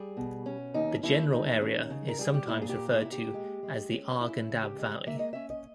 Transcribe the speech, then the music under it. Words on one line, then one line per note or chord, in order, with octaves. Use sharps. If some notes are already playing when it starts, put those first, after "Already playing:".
The general area is sometimes referred to as the Arghandab Valley.
Already playing: G3 G#4
B2
C#4
D#2 D#4
D#2 E4
D#2 D#4
C#4
C#3
A#4
G3 G#4
G4
A#2 E4
G#4
G4
A#2
G#4
A#2 E4
G4
G#3
G#3
C#4
C#4 E4
C#3
G4
G#3
A#3 E5
D#5
C#4 E5
D#5